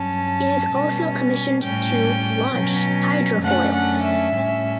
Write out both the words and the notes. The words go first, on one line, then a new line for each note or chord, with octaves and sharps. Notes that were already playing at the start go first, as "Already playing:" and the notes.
It is also commissioned to launch hydrofoils.
Already playing: G2 F#3 C#4 A5
B2 G3 C#4
A2 G3 C#4 G5
B2 F#3 C#4
F#2 D3 A3 C#4 F#5
F#5
E5
A2 G3 C#4